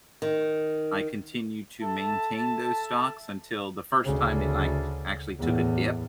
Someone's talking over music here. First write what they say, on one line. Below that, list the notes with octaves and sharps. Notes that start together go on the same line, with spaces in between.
I continued to maintain those stocks until the first time it, like, actually took a dip,
D#3
A4 E5 A5
D2 C#3
E2 A2